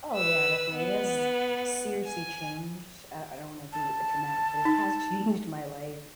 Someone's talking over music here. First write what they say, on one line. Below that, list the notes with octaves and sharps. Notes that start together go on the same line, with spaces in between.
Oh, yeah definitely it has seriously changed uh, I don't wanna be a dramatic, but it has changed my life.
B4 E6
B3
G#5
A5
D#4